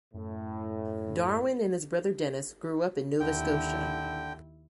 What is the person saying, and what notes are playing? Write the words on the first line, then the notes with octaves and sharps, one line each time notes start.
Darwyn and his brother Dennis grew up in Nova Scotia.
F#2 A2
D#2 D3 E4 G5